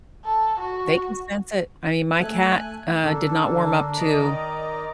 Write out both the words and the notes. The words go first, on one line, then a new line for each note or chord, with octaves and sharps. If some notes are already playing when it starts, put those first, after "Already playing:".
they can sense it. I mean my cat, uh, did not warm up to
A4
F#4
A3 G#5 F#6
D3 A#3 D4 A4
D#3 D5 D#5 A#5